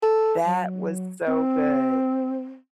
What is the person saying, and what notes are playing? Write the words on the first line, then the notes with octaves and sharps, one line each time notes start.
That was so good.
A4
F#3
C4